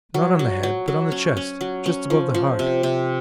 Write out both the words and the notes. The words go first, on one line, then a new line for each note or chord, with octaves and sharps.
Not on the head but on the chest, just above the heart.
F#3
F#3
F#3
F#3
C#4
C#4
F#3
C#4
F3
F3
C3
C3